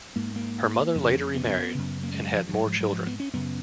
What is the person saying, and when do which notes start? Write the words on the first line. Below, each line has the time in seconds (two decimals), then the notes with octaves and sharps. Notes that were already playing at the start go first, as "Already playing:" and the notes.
Her mother later re-married and had more children.
0.16 G#2 A#3
0.36 A#3
0.95 F2 C#3
1.35 B3
1.75 F#2 C#3
2.03 A#3
2.14 G#3
2.34 F3
2.49 F3
2.53 G#2 F#3
2.67 F3
2.81 F#3
2.93 F3
3.07 B3
3.20 C#4
3.33 F#2 C#3 B3